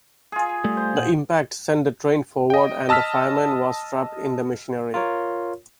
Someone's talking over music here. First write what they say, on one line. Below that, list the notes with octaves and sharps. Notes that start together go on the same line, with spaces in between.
The impact sent the train forward and the fireman was trapped in the machinery.
F4 G#4
G3 A3
C5
A#2 F#5
D#5 G5
D#5 A5 E6 F6 B6
F4 A#4 C#5